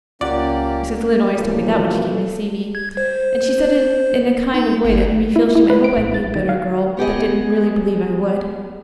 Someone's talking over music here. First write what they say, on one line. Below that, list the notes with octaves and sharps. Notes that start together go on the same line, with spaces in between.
Mrs. Lynde always told me that when she came to see me; and she said it in a kind of way that made me feel she might hope I'd be a better girl but didn't really believe I would.
C#2 A#3 C#4 F4 G4 D5 F#5
F#2 B2 E3 F3 A#3 A4
G#6
C5
D#4
G1
E4
E4
B4
D7
A#1
A6
D#3
F5
B3 G4 G#4 D#5